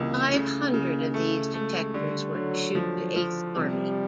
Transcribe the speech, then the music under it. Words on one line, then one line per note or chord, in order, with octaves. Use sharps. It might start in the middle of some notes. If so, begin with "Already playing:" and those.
Five hundred of these detectors were issued to Eighth Army.
Already playing: C#2 C3 E3 G3 A#3
C#3 A3
C#3 A#3
A3
G#3 A3
D3 G3
D3 F#3
F3 F#3
F3
C3 G3